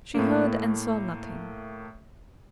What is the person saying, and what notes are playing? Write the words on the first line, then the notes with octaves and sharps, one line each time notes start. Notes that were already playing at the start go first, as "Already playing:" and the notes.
She heard and saw nothing.
A2 A3 A#3